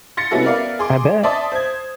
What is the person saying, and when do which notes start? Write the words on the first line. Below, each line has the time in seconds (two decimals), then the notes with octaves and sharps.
I bet.
0.17 C6 A6 A#6 C#7
0.31 C3 B3 C#4 E4 F#4 A4
0.44 B3 A#4 B4 D5 E5 F5
0.79 G#4 C6 D6
1.24 D5 E5 A5 C6 D#6
1.52 C5 G#6